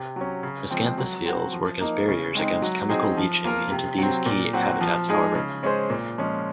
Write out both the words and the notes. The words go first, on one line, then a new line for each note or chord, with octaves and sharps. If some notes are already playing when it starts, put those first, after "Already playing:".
Miscanthus fields work as barriers against chemical leaching into these key habitats however.
Already playing: C3
F#3 C#4
C#3
F3 G#3 C4
F#3
C4 F#4
F3
A#3 D#4
C#3
G#3 C4 D#4
F#3
C4 D#4 G#4
F3
A#3 F4 A#4
C3
F#3 C4
A#2
F#3 C4 F#4
F3
G#3 D#4 G#4
C#3
G#3 C#4 G#4 C5
A#2
F3 G#3 C#4